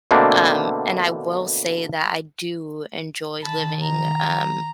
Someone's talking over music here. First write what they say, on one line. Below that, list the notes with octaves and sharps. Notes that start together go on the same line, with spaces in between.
um, and I will say that I do enjoy living, um,
B2 D3 A3 A#3 C4 D4
D#3 A5 B5
A#5